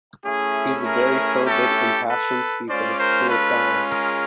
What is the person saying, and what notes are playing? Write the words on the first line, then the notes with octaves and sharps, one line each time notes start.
He is a very fervid, impassioned speaker — full of fire!
A3 C#4 E4 G#4
G#4 A#4
G4 A4
A4 B4
G#3 C#4 F4 C5 D5
A#4 C5
A4 B4
G#4 A#4